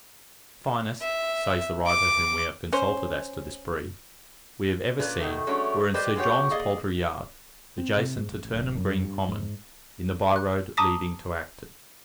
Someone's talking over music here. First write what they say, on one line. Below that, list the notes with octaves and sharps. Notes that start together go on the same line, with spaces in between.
"The finest," says the writer whom we have consulted as to this breed, "we have ever seen, were in Sir John's poultry-yard, adjacent to Turnham-Green Common, in the byroad leading to Acton."
E5
D6
C#4 C5
A#2 C#4 B4 D5
B2 D#3 A3
F#3 G#3 A3 C#4 D4
G3 G4 B4 C5 D5 D#5
G#3 B3 F#4 G4 C#5
A#3 G#4 D5 D#5
C4
C3
G#2
A1
D1
F#2
G2
G#2
F#6
A5 A#5 D6 D#6 A#6 B6